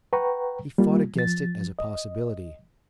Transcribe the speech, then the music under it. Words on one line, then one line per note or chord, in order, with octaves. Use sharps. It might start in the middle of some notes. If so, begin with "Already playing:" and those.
He fought against it as a possibility.
B4 F#5 G5 A#5 C#6
G3 A#3 F4
F3 A6
D#5